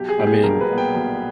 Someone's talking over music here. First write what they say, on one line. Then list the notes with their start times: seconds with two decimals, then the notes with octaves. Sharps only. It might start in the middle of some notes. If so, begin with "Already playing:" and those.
I mean,
Already playing: B1 G4
0.09 G#4
0.18 A#2 G3 B3 G4
0.27 G#4
0.43 B1 A#4
0.61 B4
0.69 A#2 G3 B3
0.78 G5
0.95 B1